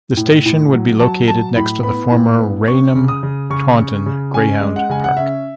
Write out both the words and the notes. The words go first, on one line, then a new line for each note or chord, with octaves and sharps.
The station would be located next to the former Raynham-Taunton Greyhound Park.
A2
A2
F#3
F#3 A5
F#3 A5
A2 B5
B3 B5
A2
B3
C#4 C#6
C#3
D#6
C#3
C#3 C#6
C#3
C#3
C#4 G#5
G#3
F#5
C#3 G#5
F#5
C#4 E5